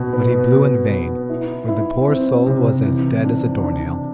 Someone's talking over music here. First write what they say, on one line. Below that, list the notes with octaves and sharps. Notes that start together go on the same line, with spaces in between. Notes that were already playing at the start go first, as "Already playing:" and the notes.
But he blew in vain, for the poor soul was as dead as a door-nail.
Already playing: B2
B3
B2
B3
E4
E4
C4
C3
E3
D4
D4